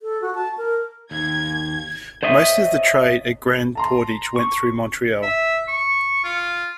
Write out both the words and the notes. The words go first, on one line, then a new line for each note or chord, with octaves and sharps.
Most of the trade at Grand Portage went through Montreal.
A4
F#4
A5
A#4
D#2 G#6
C5 C#5 D#5 E5
A5 A#5 C6
C#6
E5
C#6
F4